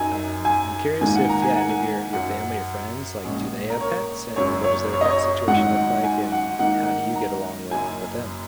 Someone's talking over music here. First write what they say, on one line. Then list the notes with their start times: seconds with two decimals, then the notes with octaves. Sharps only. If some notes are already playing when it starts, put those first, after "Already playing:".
um, I'm curious if yeah, any of your your family or friends, like, do they have pets, and what does their pet situation look like, and how do you get along with with them?
Already playing: F#2 F#3 D#4 G#5
0.45 G#5
1.01 G#2 D#3 A#3 G#5
1.15 F#5
1.29 A#5
1.42 G#5
1.56 F#5
1.69 G#5
2.13 F#2 F#3 C#4 F#5
3.25 A#1 A#2 G#3 C#4
3.70 A#4
3.81 C#5
4.36 F#1 F#2 F#3 C#4 C#5
4.64 C#5
4.92 C#5
5.01 D#5
5.10 C#5
5.47 G#1 G#2 F#3 D#4 F#5
6.04 G#5
6.32 F#5
6.59 G#2 D#3 A#3 D#4 F#5
7.15 A#5
7.71 F#1 F#2 F#3 G#5